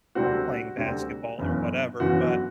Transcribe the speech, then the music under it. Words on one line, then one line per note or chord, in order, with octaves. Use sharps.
playing basketball or whatever. But,
D2 C3 G3 C4 F#4
D2 C3 G3 C4
G1 F#2 E3
G1 F#2 E3 F#4
F#4